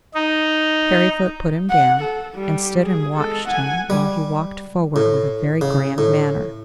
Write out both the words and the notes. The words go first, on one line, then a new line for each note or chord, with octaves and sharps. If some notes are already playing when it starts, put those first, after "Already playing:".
Fairyfoot put him down, and stood and watched him while he walked forward with a very grand manner.
D#4
F#5
A4
G3 G4
G#4
G#3 A4
F#5 G#5
G3
A2
C#3
A2